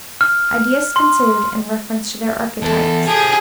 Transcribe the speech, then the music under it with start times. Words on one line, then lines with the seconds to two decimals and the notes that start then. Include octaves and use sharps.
Ideas considered in reference to their Archetypes.
0.21 F6
0.96 C6
2.62 E2 A4
3.07 F3 G3 G#4